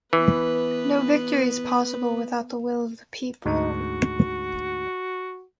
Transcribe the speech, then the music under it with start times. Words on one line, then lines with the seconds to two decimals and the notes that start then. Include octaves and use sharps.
No victory is possible without the will of the people.
0.13 E3 B3 B4
3.46 D2 G#2 F#4